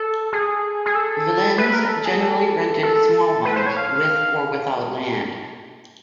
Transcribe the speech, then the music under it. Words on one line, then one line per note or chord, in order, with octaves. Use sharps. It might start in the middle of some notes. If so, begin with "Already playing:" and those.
Villeins generally rented small homes, with or without land.
Already playing: A4
G#4
G#4
A4
B4
A#4
A4
G#4
A4
A4
B4
C5
C#5
F5